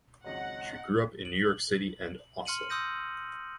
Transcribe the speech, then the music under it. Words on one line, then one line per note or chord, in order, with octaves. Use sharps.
She grew up in New York City and Oslo.
G#1 C#2 F#3 D#5 F#5
F#7
C6 F6 C#7 D#7 F#7
C6 D#6 E6 G6 A#6 D#7